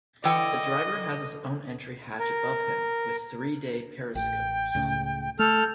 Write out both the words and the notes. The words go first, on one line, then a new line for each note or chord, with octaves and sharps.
The driver has his own entry hatch above him, with three day periscopes.
D3 E3 D#5 G5
A#4
A1 G5
C#2 A2 C#3
A3 A4 F6 G6